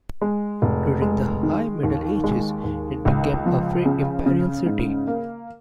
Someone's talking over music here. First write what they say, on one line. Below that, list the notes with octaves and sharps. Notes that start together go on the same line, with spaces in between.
During the High Middle Ages, it became a Free Imperial City.
G#3
F1
G#3
D#3
D#2
G#3
D#2
C#2
F3
C#3
C#3
G#2
A#3